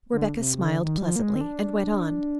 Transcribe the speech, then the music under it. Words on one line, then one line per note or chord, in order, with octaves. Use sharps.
Rebecca smiled pleasantly, and went on.
D3
C3
C3
D3
D#3
G3
F3
A#3
G#3
C4
D4